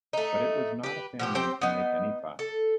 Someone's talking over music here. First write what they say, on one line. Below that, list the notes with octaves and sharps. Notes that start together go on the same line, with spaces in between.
But it was not a family to make any fuss.
A3 D#4
G4 B4
B2 F3 G4
C4 G4 C5 G5
B3 D#4
A4